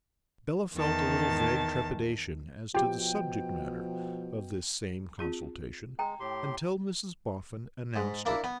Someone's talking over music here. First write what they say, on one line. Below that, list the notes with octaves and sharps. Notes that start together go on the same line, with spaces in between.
Bella felt a little vague trepidation as to the subject-matter of this same consultation, until Mrs Boffin announced it.
E2 D#3 A5
B2 F3 F4 G4 G5
C4 F4 G#4
G#3 G5 A#5
A2 G4 C6
G#2
A#3 D4 E4
B3